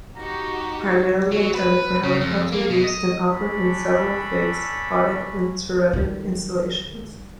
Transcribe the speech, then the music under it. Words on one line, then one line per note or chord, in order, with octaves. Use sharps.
Primarily intended for helicopter use and offered in several fixed, podded, and turreted installations.
D#4 F#4 G4 A#5
F#3
B4
C#3
F2
A#3
B2
D#5
C#4 D4 A4 B5
D#3 G3